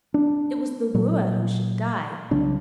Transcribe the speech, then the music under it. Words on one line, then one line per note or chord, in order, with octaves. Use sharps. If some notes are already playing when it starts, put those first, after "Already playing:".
It was the wooer who should die.
D4
A#2 F#3
C2 C#3 F#3 D4